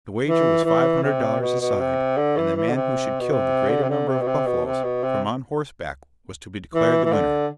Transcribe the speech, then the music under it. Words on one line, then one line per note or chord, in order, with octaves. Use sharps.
The wager was five hundred dollars a side, and the man who should kill the greater number of buffaloes from on horseback was to be declared the winner.
E3
E3
C3
B2
B2
C3
D3
E3
E3
D3
C3
B2
C3
D3
C3
D3
C3
B2
C3
B2
C3
B2
C3
E3
E3
D3